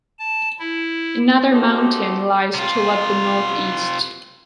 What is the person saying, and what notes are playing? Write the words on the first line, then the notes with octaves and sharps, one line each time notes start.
Another mountain lies toward the northeast.
A5
E4
A3 C4 C#4 D#4 F#4 G4
C3 F4